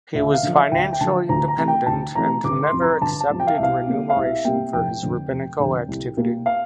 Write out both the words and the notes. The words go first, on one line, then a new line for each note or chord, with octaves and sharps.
He was financially independent, and never accepted remuneration for his rabbinical activity.
D2 E5
F5
D3 F3
E5
D2 G5
G5
D3 F3 A5
D2 A#5
A#5
C3 E3 A3
G5
D2 A5
C3 E3 A3 A#5
G1 D6
C6
F2 C3 F3
A#5
G1 A5
A5
F2 C3 F3
G5
F5
E5
C2 F5
C3 G3 A#3
F5
C2 E5
C3 G3 A#3 G5
F1 G5
F2 D3
F1
F2 D3
C2
A#2 G3 A#3
F5